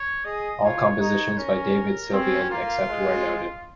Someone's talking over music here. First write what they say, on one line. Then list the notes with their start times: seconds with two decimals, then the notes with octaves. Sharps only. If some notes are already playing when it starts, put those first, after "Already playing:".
All compositions by David Sylvian except where noted.
Already playing: C#5
0.25 G#4 D#5
0.62 F4 C#5
1.00 D#4 C#5
1.37 C#4 A#4
2.12 C4 C#4
2.50 A#3 F4
2.88 G#3